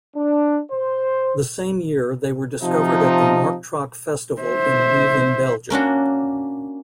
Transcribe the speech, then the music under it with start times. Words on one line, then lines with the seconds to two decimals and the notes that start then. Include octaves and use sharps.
The same year they were discovered at the Marktrock festival in Leuven, Belgium.
0.16 D4
0.72 C5
2.62 C3 F3 D#4
4.41 C5 E5
5.70 A#3 C#4 D4 F#4